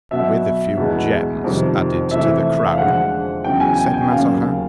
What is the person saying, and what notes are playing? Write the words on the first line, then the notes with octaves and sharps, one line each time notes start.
"With a few gems added to the crown," said Mazarin.
B2 F#3 B3 E5
E2 B2 G#3 B3
F2 C3 D#3 G3
C3 E3 A3 E5
F5
F2 D3 F3 G#3 F#5
E2 C#3 F#3 G5
G#5
G5
G5
D#2 C#3 F#3 A#3 C#4 F5